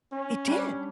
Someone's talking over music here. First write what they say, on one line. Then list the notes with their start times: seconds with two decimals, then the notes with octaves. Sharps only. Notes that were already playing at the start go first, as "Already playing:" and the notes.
It did!
0.12 C#4
0.48 G3 D4